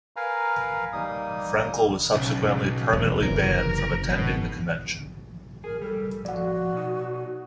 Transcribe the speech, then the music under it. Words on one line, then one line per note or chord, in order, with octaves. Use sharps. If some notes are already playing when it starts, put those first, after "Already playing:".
Frenkel was subsequently permanently banned from attending the convention.
A#4 B4 F5 G#5 A#5
G3 A#3 D#4 D#6
B1 C#3
E1
F#1 C3 E3 A#4
G#1 B2
G#4 A#4
G3 A4
A2 F3 F#4 D5 F#5
B2 D#4